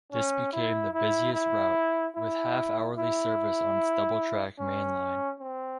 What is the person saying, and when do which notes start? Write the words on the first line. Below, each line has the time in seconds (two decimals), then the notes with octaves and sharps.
This became the busiest route, with half-hourly service on its double-track main line.
0.12 C#4
0.53 E4
0.94 E4
1.34 E4
2.15 E4
2.97 E4
4.59 C#4
5.40 C4